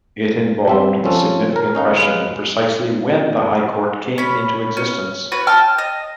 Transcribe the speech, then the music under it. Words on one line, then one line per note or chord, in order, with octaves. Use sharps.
It involved the significant question of precisely when the High Court came into existence.
G3 C4 E5
F3 C4 C#4 A4
A#4
C#4 D#4 F5 F#5
G#3 B4 F5
C#4 B5
C#4
C#4 F#4 B4
G5 A5 F6
D#5